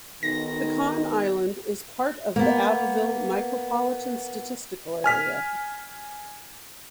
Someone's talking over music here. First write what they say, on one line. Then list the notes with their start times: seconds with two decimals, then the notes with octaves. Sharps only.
Pecan Island is part of the Abbeville Micropolitan Statistical Area.
0.23 B1 D#3 A#6
2.36 A#3 B3
5.04 G#5 F6 B6